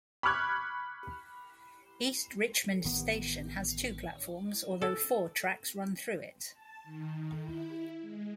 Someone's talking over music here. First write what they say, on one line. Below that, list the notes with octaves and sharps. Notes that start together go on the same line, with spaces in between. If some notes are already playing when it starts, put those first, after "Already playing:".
East Richmond station has two platforms, although four tracks run through it.
B5 C#6 D6 F6 F#6 G#6
A1 D#3 B3
A4
A5
D#3
E4
G#3